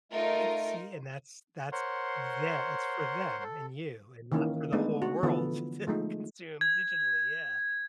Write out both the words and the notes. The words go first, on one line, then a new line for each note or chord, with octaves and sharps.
It's see, and that's that's tha it's for them, and you, and not for the whole world to consume digitally, yeah.
A3 D#4 F4 A#4
A#4 C5 C#5 F#5 C6
A4
D#3 E3 A#3 C#4
G#3 A3 B3 D4 D#4
F#4
D3 E3 F3 B3 A4
F3 G#3 A3 D#4
G#6